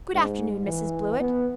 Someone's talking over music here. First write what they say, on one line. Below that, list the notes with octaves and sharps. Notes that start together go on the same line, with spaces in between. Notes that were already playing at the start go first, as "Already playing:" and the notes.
Good afternoon, Mrs. Blewett.
G#2
E3
B3